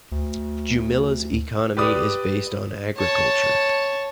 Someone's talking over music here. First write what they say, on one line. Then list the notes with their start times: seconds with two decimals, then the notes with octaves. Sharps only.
Jumilla's economy is based on agriculture.
0.12 D2
1.77 G4 B4 D5 D#6
2.97 C#5 A5